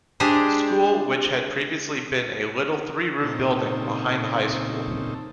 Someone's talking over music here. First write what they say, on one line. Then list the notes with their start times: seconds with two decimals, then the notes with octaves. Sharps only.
School which had previously been a little three-room building behind the high school.
0.20 G#3 D4 G4 G#4 C5
3.23 A#2 C#3 C4 D#4 A4